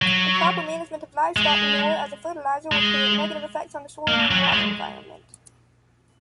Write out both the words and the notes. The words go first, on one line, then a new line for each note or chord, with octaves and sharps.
Improper management of livestock manure as a fertilizer would create negative effects on the soil and water environment.
F#3
G#3
G#3
A#3
F#3
G#3